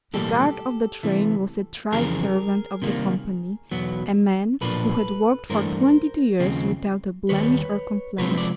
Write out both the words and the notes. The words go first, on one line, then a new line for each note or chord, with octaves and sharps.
The guard of the train was a tried servant of the company--a man who had worked for twenty-two years without a blemish or complaint.
B1 A2 E3 G3 A#3 G4 A4
C3 E3 A3
F2 C#3 E3 G3 C4 G#4 A#4
C3 D#3 G3 A#3
E2 B2 F#3 B3
B1 A#2 F3 A#3 D4 A4 B4
G2 E3 A3 D4 A#4 C5
D#2 C#3 F3 G#3 C4
D#2 D#3 G3 B4 C#5
C3 F3 G#3 C4 B4 C#5
D5